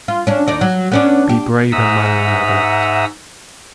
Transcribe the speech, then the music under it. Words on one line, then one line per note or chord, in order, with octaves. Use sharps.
Be brave and manly, my beloved!
F4
C#4 D4
D#2 D#4 D5
F#3
B3 C#4 D4
G4
G#2 E5 F#5 A#5 D#6 E6